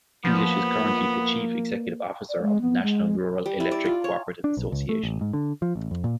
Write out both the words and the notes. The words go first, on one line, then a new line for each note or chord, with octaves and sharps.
English is currently the chief executive officer of the National Rural Electric Cooperative Association.
F3 A#3 B3
D5
G#3
B3
G#3
G3
E4
D5
F4
C#5
D4
B1
C#2
A3
A1
G#2
D3
F3
A1
F2
A#2